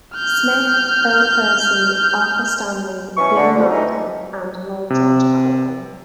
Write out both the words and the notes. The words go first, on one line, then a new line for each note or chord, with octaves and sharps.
Smith, Earl Percy, Arthur Stanley, Ian Malcolm and Lord George Hamilton.
F6 G6
B2 E3 C#4 C#6
D3
F2
E3 D#4
C3